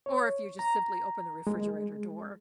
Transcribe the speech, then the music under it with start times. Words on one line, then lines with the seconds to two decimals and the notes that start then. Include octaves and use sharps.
Or, if you just simply open the refrigerator door.
0.06 C#5
0.59 A#5
1.47 G#3